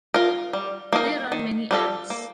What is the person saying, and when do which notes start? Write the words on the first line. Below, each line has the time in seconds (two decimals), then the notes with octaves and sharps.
There are many ads.
0.14 F4 A#4
0.53 G3
0.93 A#3 D#4 A#4
1.32 D#3
1.71 G3 D4 F4 A4
2.10 A#3